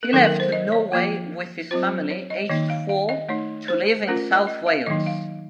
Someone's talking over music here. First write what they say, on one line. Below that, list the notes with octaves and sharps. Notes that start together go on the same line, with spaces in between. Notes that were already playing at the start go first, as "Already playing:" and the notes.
He left Norway with his family aged four to live in South Wales.
A#4
D#3 F#3 A#3 D#4 A4
A#4
C5
D#5
C#5
F3 A#3 F4
F#3 C4 F4 C5
C#5
D#5
D#3 A#3 D#4 D#5
F5
F5
D#5
A3 D#4 C#5
C5
A3 C#4 F4 A#4
D#5
D#5
F5
D#3 F#3 A#3 D#4 D#5
F5